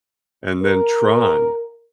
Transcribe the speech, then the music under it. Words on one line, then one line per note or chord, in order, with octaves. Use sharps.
and then Tron,
A#4